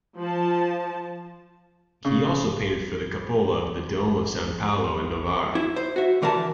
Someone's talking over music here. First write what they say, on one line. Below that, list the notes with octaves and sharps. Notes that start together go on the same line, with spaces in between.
He also painted for the cupola of the dome of San Paolo in Novara.
F3 A5
C#3
E4
C5
F#4 E5
D3 E3 A#4 E5 A5